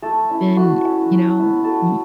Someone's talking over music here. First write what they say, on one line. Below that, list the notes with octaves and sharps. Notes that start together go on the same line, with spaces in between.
been, you know, m
A3 A4
C#4 E4
A3 F#4
C#4 E4
F#3
B3 E4
F#3 A4